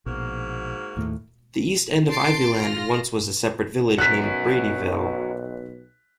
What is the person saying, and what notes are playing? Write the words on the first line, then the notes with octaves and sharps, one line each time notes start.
The east end of Ivyland once was a separate village named Bradyville.
A#1 G#2 B2 A#3 F#4
D#2 A2 A3
A5 C6 A6 C7 D7
F4 F6 A#6
B1 F#4 A#4 F#6 B6